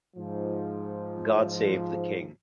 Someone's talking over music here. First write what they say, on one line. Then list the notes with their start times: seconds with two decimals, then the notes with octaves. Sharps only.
God save the King.
0.17 G#2 F3